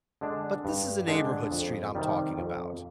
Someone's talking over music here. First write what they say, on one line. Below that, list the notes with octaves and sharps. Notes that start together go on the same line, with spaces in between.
but this is a neighborhood street I'm talking about,
D3 G#3 D4
G2
D3 G#3 D4
F2
C3 D#3 G3
F2